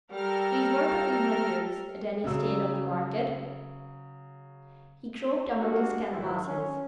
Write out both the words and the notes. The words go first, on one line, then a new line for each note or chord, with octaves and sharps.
She's worth a few hundreds at any state of the market.' He groped among his canvases.
G3 A4 A#4 F6
C#3 F#3 E6
G3 G#3 A#3 B3 D4 F#4
C#2 G#2 D#3 F#3 E4 C5
C#4